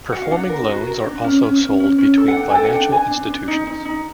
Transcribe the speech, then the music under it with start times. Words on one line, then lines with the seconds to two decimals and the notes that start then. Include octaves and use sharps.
Performing loans are also sold between financial institutions.
0.12 F#4 F#5
0.22 F5
0.31 D4 F#5
0.49 A#4
0.68 F#4
0.87 A#4
1.06 D4
1.24 C#4
1.43 C#4
1.61 C#4
1.80 C#4
1.98 C#4
2.18 A4
2.28 F#5
2.36 D4 G5
2.50 G#5
2.54 A4 G5
2.65 F#5
2.73 D4 G5
2.92 D4 G#5
3.11 D4
3.30 D4
3.48 D#4
3.67 D#4
3.85 D#4